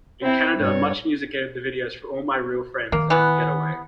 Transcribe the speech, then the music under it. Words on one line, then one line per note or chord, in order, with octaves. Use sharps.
In Canada MuchMusic aired the videos for "All My Real Friends" and "The Getaway".
C4 E4
G2 C#5
D#3 A#3
E3 B3